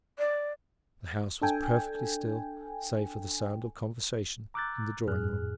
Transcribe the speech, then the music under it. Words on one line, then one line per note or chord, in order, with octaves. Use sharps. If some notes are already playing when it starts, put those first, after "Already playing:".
The house was perfectly still, save for the sound of conversation in the drawing-room.
D5
D4 A4 G5 G#5
A#5 D6 E6 F#6 G6 A6
F2 A2 G#4 F6 F#6